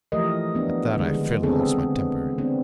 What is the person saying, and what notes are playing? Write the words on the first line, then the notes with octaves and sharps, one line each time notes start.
At that I fairly lost my temper.
E3 F3 A3 G4 A#4 D#5
B3 D4
D3 D#3 G#3
C#3 B3 C4 D4 G#4 A4
B3 C4 D4